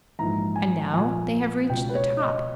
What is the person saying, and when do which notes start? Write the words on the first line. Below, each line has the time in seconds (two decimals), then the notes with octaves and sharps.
And now they have reached the top.
0.19 A#1 G#2 E3 A#5
0.56 G#5
0.93 A#1 A#2 G#5
1.69 C#2 B2 G5
1.89 B4
1.95 C#5
2.20 D#5